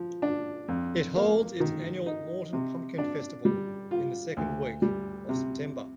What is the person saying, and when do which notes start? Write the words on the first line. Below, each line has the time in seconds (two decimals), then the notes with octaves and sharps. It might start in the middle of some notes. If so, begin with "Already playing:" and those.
It holds its annual Morton Pumpkin Festival in the second week of September.
Already playing: F3
0.22 D4
0.68 F2
1.15 A#3
1.60 D#3
2.06 D#4
2.53 C3
2.98 D4
3.45 G3
3.91 F4
4.37 D2
4.82 G3
5.29 C3